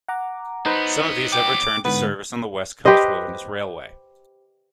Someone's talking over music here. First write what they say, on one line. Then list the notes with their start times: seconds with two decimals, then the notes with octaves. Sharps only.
Some of these have returned to service on the West Coast Wilderness Railway.
0.08 F#5 A#5 D6
0.66 F#3 B3 D#4 B4 C5
1.32 G5 D6
1.85 G#2 D3 B3 B4
2.85 G4 B4 C5 D#5